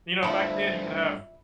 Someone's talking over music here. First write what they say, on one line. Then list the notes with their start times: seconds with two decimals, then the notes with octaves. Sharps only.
You know, back then, you could have
0.23 G2 F3 G3 A3 E4 C5